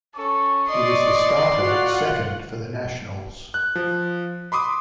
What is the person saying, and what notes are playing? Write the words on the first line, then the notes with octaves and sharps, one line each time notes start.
He was the starter at second for the Nationals.
C#4 A4 C#6
D5 D#5 C6 C#6 D#6
F4 F#4 F#5
F#6
F3
B5 C6 D6 D#6